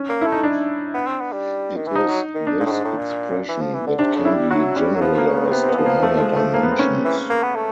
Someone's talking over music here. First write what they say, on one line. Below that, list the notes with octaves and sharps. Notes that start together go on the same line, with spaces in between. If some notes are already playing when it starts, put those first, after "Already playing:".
It is this expression that can be generalised to higher dimensions.
Already playing: C#4
A#3
E4
A3
D#4
D4
B3
C4
B3
G3
D#3
E3
F3 D#4
F#3
D#3
D4
A#2
A2
G#2
A2
A#2
E3
F3
E3
D3
C3 D4
C#3
E4
G3
F#3 F#4
G3 C#4
F#3
F3 B3
A#3
C#3
B3
C4
C3 B3
C4
E3 B3
F3
A#3
A3
G#3
A3
A#3
B3
C4
C#4
E3
A#3
B3
A3